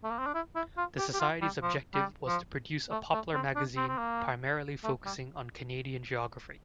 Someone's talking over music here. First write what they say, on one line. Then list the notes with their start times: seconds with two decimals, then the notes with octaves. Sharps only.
The Society's objective was to produce a popular magazine primarily focusing on Canadian geography.
0.04 A3
0.11 A#3
0.19 C4
0.26 D4
0.34 E4
0.56 E4
0.77 F4
0.99 G4
1.13 G4
1.20 F4
1.42 G3
1.63 F3
1.95 G3
2.27 F3
2.91 A3
3.13 A3
3.34 C4
3.56 D4
3.77 C4
3.88 C4
3.98 A#3
4.84 A3
5.06 G3